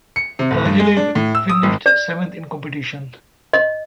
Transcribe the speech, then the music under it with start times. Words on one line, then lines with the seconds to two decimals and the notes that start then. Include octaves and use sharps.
The relay finished seventh in the competition.
0.16 C#7
0.39 C3
0.51 D1
0.65 G2
0.80 G#3
0.97 D4
1.15 A2
1.35 E6
1.49 D#6
1.63 G#1
1.86 D5
3.53 D#5